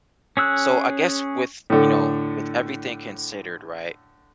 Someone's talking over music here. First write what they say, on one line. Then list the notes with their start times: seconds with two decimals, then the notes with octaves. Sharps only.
So, I guess with, you know, with everything considered, right?
0.37 C#4 G#4 E6 F#6
1.70 A2 D3